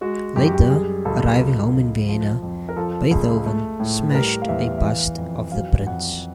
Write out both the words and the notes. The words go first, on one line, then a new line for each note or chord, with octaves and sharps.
Later, arriving home in Vienna, Beethoven smashed a bust of the Prince.
G#3 F#4
F#2 G4
F#4
G4
G3 G#4
C#2 A4
A#4
F#3 A4
C#2
F3
F2
A#4
F3 A4
C#2 G#4
A3
A2
B4
G3 A#4
F5
E2 E5
E5
E3 F5
F2
F#3 F5
F2 F#5